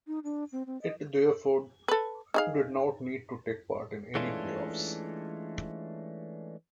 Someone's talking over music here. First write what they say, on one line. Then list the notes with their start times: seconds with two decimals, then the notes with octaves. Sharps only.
It therefore did not need to take part in any play-offs.
0.07 D#4
0.24 D4
0.52 C4
0.66 C4
0.82 D#5
1.88 A4 B4
2.34 D#4 G#4 F5
4.15 E3 G#3 A3 C#4 D4 F4